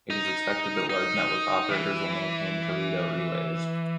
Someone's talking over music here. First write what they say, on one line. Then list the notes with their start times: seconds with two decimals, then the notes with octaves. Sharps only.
It is expected that large network operators will maintain Teredo relays.
0.10 D#4
0.89 D#4
1.70 E3